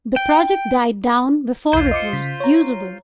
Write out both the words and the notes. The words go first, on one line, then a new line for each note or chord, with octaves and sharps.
The project died down before it was usable.
G5
B1 E2 F4 C5
D#5 D6 C#7
C#3 B6
C#5 A#5